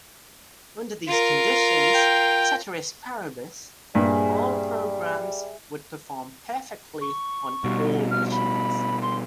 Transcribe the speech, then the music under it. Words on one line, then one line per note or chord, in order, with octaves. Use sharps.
Under these conditions, ceteris paribus, all programs would perform perfectly on all machines.
F4 A#4
G5
G2 A#2 G3 G#4 C5 E5
C#6
B2 G3
F6
B5
C6